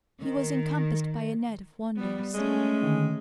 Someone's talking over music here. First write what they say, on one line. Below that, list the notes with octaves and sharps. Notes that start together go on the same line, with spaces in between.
He was encompassed by a net of wonders.
D#3
G3 B3
G#3 A3 C#4
D3 D#3